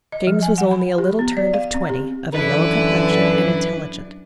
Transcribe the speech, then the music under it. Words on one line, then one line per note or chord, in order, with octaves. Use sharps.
James was only a little turned of twenty, of a yellow complexion, and intelligent.
D#5
F3
G#5
F#5
B5
G4
B3
D5
F5
C4
G4
F#2 D3 E3 D4 E4 B4